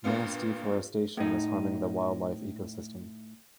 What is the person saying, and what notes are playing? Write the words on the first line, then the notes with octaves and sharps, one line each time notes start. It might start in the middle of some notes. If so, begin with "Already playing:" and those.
Mass deforestation is harming the wildlife ecosystem.
G2 A#2 B3 F4
A2 D#4